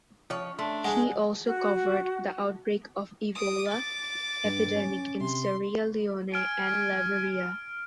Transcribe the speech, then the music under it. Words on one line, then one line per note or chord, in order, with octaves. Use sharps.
He also covered the outbreak of Ebola epidemic in Sierra Leone and Liberia.
F3 C#4 C#5
A3 D4 C6
G#3 F#5
F#4
D#6 D7
D6 A6
G2
C#4
C3 C6
G#5 F6 D7